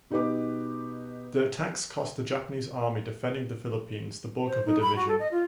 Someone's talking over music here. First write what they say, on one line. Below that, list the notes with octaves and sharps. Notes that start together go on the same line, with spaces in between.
The attacks cost the Japanese army defending the Philippines the bulk of a division.
B2 D#4 G4 B4 D6
C5
D#4
B5
F#4
A4
D#5
F4